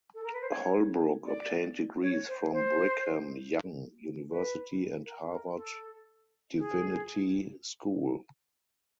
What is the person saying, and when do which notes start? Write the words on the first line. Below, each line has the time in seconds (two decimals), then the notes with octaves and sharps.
Holbrook obtained degrees from Brigham Young University and Harvard Divinity School.
0.14 A4
0.23 A#4
0.32 B4
0.41 C5
0.50 C#5
1.26 D5
2.02 C#5
2.27 C5
2.52 C5
4.30 B4
5.05 A#4
5.30 A#4
5.56 A4
6.57 G#4